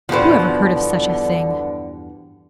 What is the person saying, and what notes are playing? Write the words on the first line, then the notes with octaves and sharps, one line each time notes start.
Who ever heard of such a thing!
E2 G2 B2 D3 F3 C5